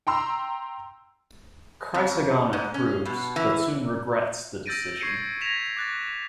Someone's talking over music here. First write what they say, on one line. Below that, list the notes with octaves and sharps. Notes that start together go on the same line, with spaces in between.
Chrysagon approves, but soon regrets the decision.
G5 A#5 C6 E6
F2
G#2
C#4
B2
E3
E6 G6 A6 A#6 D7 D#7
C#6 G#6 C7 C#7 D#7
G#6 A#6 B6 E7 F7
D6 F#6 A6